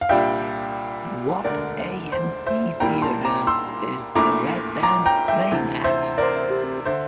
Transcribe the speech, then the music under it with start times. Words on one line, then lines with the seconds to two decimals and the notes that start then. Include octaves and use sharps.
What AMC Theaters is The Red Dance playing at?
0.01 F5
0.09 C2 A#2 G3 D4 F4 E5 G5
1.44 E1 D2 D3 A#4 D5
2.12 C5
2.46 C5 E5
2.80 C2 A#2 G3 A#3 E4 G5 A#5
3.02 A5 C6
3.25 A#5 D6
3.47 C6 E6
4.15 A#1 A#2 A3 E4 A#5 D6
4.83 A#5 D6
5.06 G5 A#5
5.28 E5 G5
5.51 D2 C3 E3
5.84 C5 E5
6.18 A#4 D5
6.85 D3 C5 E5